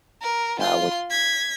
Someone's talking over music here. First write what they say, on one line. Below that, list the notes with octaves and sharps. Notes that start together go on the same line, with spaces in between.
uh, when
A#4
F4 C6
G#6 B6